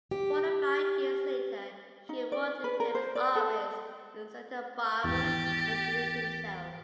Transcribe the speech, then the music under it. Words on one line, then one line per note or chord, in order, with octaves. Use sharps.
Forty-five years later he walked into Tebbett's office in Santa Barbara and introduced himself.
G4
D#4
D5
B4
A#4
C5
D5
A4
G#1 E2 G4 A6